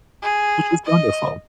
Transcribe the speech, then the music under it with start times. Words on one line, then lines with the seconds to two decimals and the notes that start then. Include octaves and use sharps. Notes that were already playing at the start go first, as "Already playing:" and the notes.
which was wonderful.
0.22 G#4
0.85 D#5